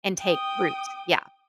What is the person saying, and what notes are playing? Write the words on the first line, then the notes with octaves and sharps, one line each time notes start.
and take root. Yeah.
G5 D#6